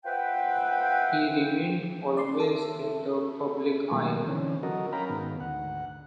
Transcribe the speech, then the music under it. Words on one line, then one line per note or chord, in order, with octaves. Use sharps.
He remained always in the public eye.
F4 B4 C5 E5 F#5 G5
D5 C6
A4 E5
B2 D#3 F#3 G3 A3 A#3
D3 E3 C4 C#4
F#3 F#4 A4 A#4 D#5
C#4 A#4 F5 G5 A#5 B5
G#2 D#3 B3
D2 F#5